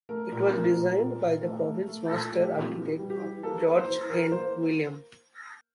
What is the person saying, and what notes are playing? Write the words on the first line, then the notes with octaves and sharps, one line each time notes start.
It was designed by the province's master architect George N. William.
A3 A#4
A#2 A#4
A3 A#4
A#2
A#2
A#2
A3
A3
A3
A#2 A4
A3
G4
A#2
E3
G3
G4
E3
A#3 A4
A#3
C5
E3
E3 A#4
A#3 C5